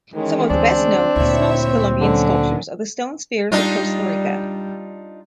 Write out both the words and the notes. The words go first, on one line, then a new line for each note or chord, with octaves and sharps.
Some of the best-known Isthmo-Colombian sculptures are the stone spheres of Costa Rica.
D#3 E3 G#3 C#4
D2 C4 D4
D2 A#2 E4 C#5 E5
D3 F#3 C#4
G3 D4 D#4 F4